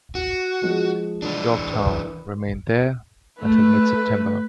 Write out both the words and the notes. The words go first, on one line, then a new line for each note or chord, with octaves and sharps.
"Yorktown" remained there until mid-September.
F#4
F3 G#3
E3 D4
B4
A3 B4